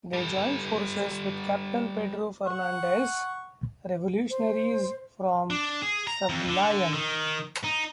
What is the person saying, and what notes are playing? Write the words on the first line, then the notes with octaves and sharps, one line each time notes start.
They joined forces with Captain Pedro Fernandez' revolutionaries from Sablayan.
G3 A4
F#5 C#6
C5
D4
G#4
A#5
F2
D3
D#3
D#4